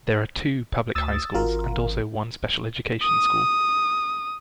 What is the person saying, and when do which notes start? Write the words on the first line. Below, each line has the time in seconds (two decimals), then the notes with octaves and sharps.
There are two public high schools, and also one special education school.
0.95 D2 D#6 E6 A6
1.35 G#1 F4 F#4 A#4
3.03 D#6